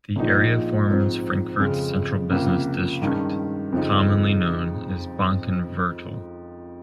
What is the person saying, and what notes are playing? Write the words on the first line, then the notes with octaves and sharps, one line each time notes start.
The area forms Frankfurt's central business district, commonly known as Bankenviertel.
A#1 A#2 F3 G#3 D#4
G#2 F3 C4
F2 C#3 G#3 C#4
C#2 C3 F3 A#3 C#4
G2 D#3 G#3 C#4
F2 C#3 G#3 D#4